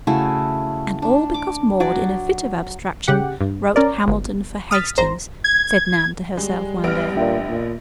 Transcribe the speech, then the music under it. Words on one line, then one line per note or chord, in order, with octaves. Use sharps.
"And all because Maude in a fit of abstraction wrote 'Hamilton' for 'Hastings,'" said Nan to herself one day.
C#3 A3 E4 F#4
D4
D6
F#3 F#4 D5
C#3 G4 F#5
G2
C#4 A#4 D5
G1
D#6 F6 A6 B6
G#1 C5 A#5
G#6
G3 G#3
A1 B3 B4 F6 D7
A#2 D4 E5 G5
A#2